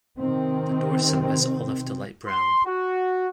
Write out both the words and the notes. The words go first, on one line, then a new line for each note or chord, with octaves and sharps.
The dorsum is olive to light brown.
C3 D#3 C4
C6
F#4